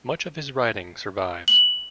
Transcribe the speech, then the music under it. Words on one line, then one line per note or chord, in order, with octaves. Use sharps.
Much of his writing survives.
F#7